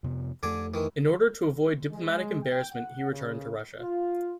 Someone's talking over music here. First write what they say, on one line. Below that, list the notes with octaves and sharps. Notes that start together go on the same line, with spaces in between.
In order to avoid diplomatic embarrassment he returned to Russia.
F2 C3 B3
F2 D3 A3 D5 G#5
D#3 E3
G#3
G5
F#5
C#3
F4